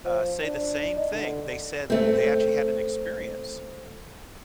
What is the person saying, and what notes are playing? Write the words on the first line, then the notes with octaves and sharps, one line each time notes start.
uh, say the same thing, they said they actually had an experience
F3
D4
D#4
D3
A3 C4